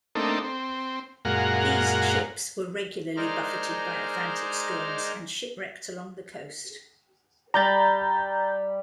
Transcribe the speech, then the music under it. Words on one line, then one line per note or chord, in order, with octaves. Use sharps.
These ships were regularly buffeted by Atlantic storms and shipwrecked along the coast.
A3 A#3 C4 D4 D#4 A4
C4
F#2 A#2 G#3 F5 F#5 A#5
G#3 D#4 A#4 C5 D5 F6
G3 A#5 B5 G6 A6